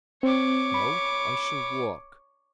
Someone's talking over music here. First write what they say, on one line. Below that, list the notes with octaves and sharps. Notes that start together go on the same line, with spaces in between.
"No; I shall walk."
C4 C#5 D6
B5